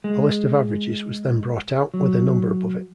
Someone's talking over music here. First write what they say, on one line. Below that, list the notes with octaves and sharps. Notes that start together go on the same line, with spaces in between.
A list of averages was then brought out, with a number above it.
G#3
F#3